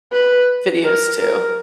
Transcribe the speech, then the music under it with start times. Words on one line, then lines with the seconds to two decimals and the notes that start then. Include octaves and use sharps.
videos, too.
0.12 B4
0.84 A#4
1.20 A#4